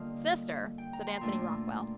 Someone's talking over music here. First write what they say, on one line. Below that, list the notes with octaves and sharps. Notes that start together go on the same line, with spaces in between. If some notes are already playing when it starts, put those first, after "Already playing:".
"Sister," said Anthony Rockwall.
Already playing: D3 G3 A#3 F4 D#5 F5
G5
A#5
C6
A#2 A3 D4 F4